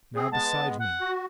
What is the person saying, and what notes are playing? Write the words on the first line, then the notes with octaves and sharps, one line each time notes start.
Now beside me!
C4 G#4
G#3 B3 A5
F#5
F#4